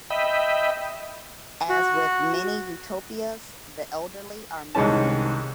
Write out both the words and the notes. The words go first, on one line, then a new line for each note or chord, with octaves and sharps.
As with many utopias, the elderly are missing.
D#5 E5 G5 B5
F#4
C2 G#2 D#3 G#3 C#4 A5